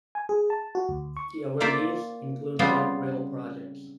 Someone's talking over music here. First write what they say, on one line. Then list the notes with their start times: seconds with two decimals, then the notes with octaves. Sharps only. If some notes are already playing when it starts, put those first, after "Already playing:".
The awardees include light rail projects.
0.15 G#5
0.29 G#4
0.50 A5
0.75 F#4
0.89 D2
1.17 C#6
1.60 A#3 F4 C5 D5 E5
2.59 C#3 G3 B3 C4 F4 C5